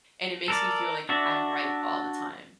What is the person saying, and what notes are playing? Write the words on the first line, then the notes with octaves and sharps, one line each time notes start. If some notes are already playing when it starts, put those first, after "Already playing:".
and it makes me feel like I'm right all the time,
A4 A#4 D5
D4 F#4 D5 E5